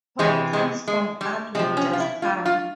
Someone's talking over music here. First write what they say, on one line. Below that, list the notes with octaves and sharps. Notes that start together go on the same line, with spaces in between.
What comes from art will just come.
C3 E3 G#3
G#3
G#3
G3
C3 F3 G#3
C#4
F4
E4
F4
F4